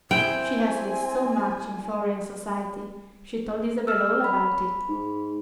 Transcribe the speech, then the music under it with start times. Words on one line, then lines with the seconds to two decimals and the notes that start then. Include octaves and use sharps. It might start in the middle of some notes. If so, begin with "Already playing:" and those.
She has lived so much in foreign society; she told Isabel all about it.
0.11 C4 E4 G5 G#5
3.87 E6 F6
4.24 B5
4.88 G#2